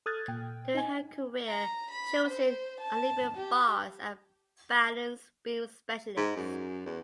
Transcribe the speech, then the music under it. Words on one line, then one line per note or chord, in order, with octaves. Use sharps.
During her career, she was an uneven bars and balance beam specialist.
A4 D#6 F6 F#6 G#6 A6
A#2 G5
D#4 G#5
A#5
B5
C5
A5
G4
G#2
F#2
E2